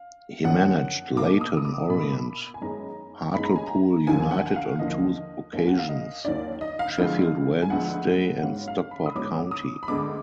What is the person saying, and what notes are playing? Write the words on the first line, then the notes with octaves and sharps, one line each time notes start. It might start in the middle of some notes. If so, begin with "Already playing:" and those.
He managed Leyton Orient, Hartlepool United on two occasions, Sheffield Wednesday and Stockport County.
Already playing: F5
F#2 D3 F3 A#3 F#5
B2 A#3 D6
D#6
D#6
D6
B2 A#3 B5
G#5
F#2 D#3 G#3 B3 A#5
F#2 D#3 G#3 B3 B5
A#5
G#5
A#5
D#2 D3 F3 A#3 G#5
F#5
G#5
F#5
F5
D#2 D3 F3 A#3 D#5
D#2 D#3 F#3 A#3 G#5
F#5
F5
D#5
D#2 D#3 F#3 A#3 D5
D#5
F5
D2 D3 F3 G#3 B3
G#5
D2 D3 F3 G#3 B3 F#5
F#5
G#2 F#3 B3 F5
F5
B5
D#6
G#2 F#3 B3 D6
D#6
B5
D2 D3 G#3 B3 D6